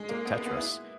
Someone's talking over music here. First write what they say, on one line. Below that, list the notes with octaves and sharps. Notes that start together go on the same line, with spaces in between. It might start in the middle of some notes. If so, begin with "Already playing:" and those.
T Tetris,
Already playing: G#3
A#3
B3
A#3
B3
E4